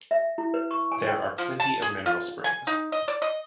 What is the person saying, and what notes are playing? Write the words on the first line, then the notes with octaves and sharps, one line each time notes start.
There are plenty of mineral springs.
E5
E4
B4
C#6
G#5
G5
F3
A5
G#4
F4
G#5
D#4
D#5
D5
D#5